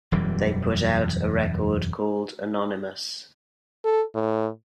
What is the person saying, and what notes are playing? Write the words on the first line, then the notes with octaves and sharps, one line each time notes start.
They put out a record called Anonymous.
E1 F#2 E3 G3
A4
A2